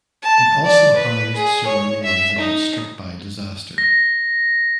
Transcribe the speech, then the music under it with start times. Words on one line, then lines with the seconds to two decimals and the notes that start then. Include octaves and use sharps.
It also housed surrounding residents struck by disaster.
0.22 A5
0.65 D5
0.97 B4
1.36 G#4
1.67 C#5
2.03 E5
2.38 D#4
3.78 A#6